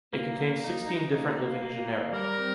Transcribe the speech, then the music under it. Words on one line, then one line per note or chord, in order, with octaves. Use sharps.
It contains sixteen different living genera.
A#3
A#3
D#4
D#4
A#3
A#3
A#3
A#3
G3 A#4
C4